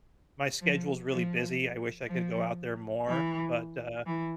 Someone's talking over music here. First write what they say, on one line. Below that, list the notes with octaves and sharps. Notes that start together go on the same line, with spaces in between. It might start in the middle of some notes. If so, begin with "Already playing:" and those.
my schedule's really busy, I wish I could go out there more, but, uh,
F3
F3
F3
E3
E3